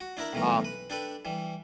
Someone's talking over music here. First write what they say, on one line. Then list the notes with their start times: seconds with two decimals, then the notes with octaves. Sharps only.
uh, f f
0.01 F#4
0.17 D4 E4 A#4 E5
0.33 B1 G2 E3 A3 A#4
0.64 B4
0.90 D4 G4 A4 B4
1.25 E3 G3